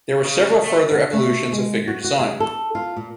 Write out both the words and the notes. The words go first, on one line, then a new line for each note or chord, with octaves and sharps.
There were several further evolutions of figure design.
C#3
A3
F#5
A3
G#3
F#4
F#4
G#4
A4
F4
A#2